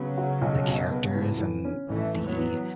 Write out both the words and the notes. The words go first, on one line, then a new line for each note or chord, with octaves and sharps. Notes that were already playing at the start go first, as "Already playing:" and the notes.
the characters and the
Already playing: C#3 F#3 B3
F#4
B1
B2
B3
A2
E3
C#4
A1 E3 A3
A2
F#3 B3
E3